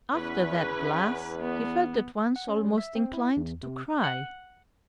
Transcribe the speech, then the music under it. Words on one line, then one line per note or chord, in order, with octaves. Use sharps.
After that glass he felt at once almost inclined to cry.
E2 C#4 B4
B3
F#5
C#4
G3
E5
C4
E4
E2
C3
F#5